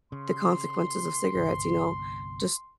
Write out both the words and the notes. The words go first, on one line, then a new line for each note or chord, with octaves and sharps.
the consequences of cigarettes, you know, just
C#3 C6
G1 C2